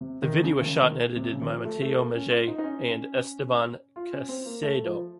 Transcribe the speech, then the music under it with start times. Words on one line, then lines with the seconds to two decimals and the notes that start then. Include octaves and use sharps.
The video was shot and edited by Mateo Mejia and Esteban Caicedo.
0.01 C3
0.22 D#3
0.44 C#3
0.61 D#3
0.66 C#3
0.82 D#3
1.16 C3
1.32 C#3
1.41 D#3
1.48 F3
1.65 A3
1.82 A3
1.98 A#3
2.15 C#4
2.31 F4
2.48 D#4
2.58 D#4
2.64 C#4
3.96 F4
4.13 C#4
4.29 C4
4.46 A#3
4.63 A3
4.84 F3